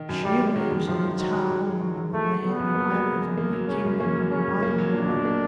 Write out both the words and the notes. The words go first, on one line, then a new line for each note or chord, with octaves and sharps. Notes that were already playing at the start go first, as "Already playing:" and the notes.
She lives in a town on the land, and I live in my kingdom of mud and water.
Already playing: D#3
F#2
F#2 G3
G#3
D#3 F#3
F#2
F#2 F3
G#3
D#3 F#3
F#2
F#2
G#3
D#3 F#3
F#2
F#2 A3
G#3
C#3 B3
F#2
A#3
F#3
C#3
F#2
A#3
F#3
C#3 C#4
F#2
A#3 C#4
F#3
C#3 C#4
F#2
A#3
F#3
A#2 D4
B1
A#3